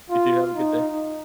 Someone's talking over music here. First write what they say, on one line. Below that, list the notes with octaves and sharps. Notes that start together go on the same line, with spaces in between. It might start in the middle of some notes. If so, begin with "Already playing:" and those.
You too, have a good day.
F4
D#4